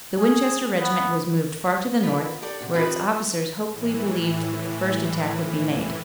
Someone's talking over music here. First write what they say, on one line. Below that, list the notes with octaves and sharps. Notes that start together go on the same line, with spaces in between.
The Winchester regiment was moved far to the north, where its officers hopefully believed that the first attack would be made.
G#4
B3
B3 F4 A#4 B4
D4 G4 A4 D5
C3 F#4
F3 C4 G4 G#4 B4
A2 E3